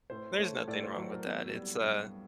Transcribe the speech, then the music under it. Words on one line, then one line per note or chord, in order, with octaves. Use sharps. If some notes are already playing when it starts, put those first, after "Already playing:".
there's nothing wrong with that. It's, uh,
A2 C5
A3 C#5
A2 D5
C5
F#3 C5
A#4
B3
G3
G2